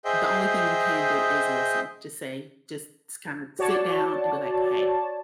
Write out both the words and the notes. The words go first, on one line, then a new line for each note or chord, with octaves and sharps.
the only thing you can do is listen, just say just kinda sit down and be, like, "Hey,
G#4 C5 D#5 E5 G5
F#4 C#5 D5 A5